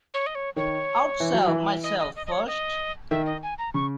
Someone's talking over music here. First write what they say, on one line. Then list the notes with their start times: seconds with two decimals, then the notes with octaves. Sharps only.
I'd sell myself first.
0.14 C#5
0.26 D#5
0.35 C#5
0.56 D#3 C#5
1.20 E3
1.33 F#3
1.47 E3
1.84 D#5
1.99 D#5
2.16 D#5
2.26 D#5
2.32 C#5
2.47 D#5
3.11 D#3 E5
3.26 D#5
3.43 G#5
3.58 A#5
3.74 C#3 C#6